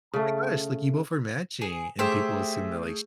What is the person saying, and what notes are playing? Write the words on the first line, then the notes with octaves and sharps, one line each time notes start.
"Oh my gosh, like, you both are matching." And people assume that, like, she
C#3 A3
G#4
A3 G4 G#4 C5 E5